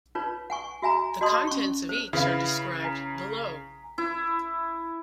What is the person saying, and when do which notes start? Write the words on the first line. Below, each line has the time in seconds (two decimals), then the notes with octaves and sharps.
The contents of each are described below.
0.15 D#4 F4 B4 C#5
0.50 F#5 G#5 C#6
0.82 F#4 E5 G#5 A#5
1.21 F#4 D5 D#5 A5 C6 D#6
1.47 C#4 C#6
1.89 C5
2.13 C#3 E4 B4 F5
2.84 G#5 A#5 B6
3.98 E4